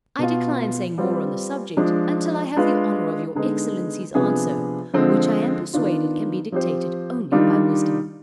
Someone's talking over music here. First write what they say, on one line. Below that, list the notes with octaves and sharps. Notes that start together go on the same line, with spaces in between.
I decline saying more on the subject, until I have the honor of your excellency's answer, which I am persuaded can be dictated only by wisdom.
B2 B3 F4
G3 C4 F4 B4
F3 G#3 D4
G#3 D4 F4 B4
D3 G#3 B3 D#4
C3 F3 B3 D4 G#4
D3 F3 G#3 C4
D#3 B3 D4 F4
F3 C4 G4 C5
D#3 G3 D4 F4